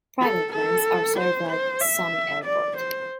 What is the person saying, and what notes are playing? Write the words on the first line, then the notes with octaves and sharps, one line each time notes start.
Private planes are served by Sumy Airport.
A4
A4
C5
C5
E5
D5
C5